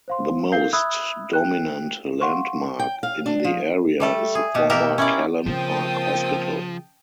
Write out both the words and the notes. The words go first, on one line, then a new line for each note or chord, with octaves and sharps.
The most dominant landmark in the area is the former Callan Park hospital.
C5 F5 C6
A4 A#4 F5 G6 C7 G7
E5 B5 D#6 E6 F#6 G#6
G5 F#6
F5 F#5 C6 C#6
G5
F5
D4
F3
G3 A3 A4
G#4
B2 G4
B2 A#3 G4 A#4 E5
C#4 E4 D5
C#3 F3 A#3 C4 G5 A5 D#6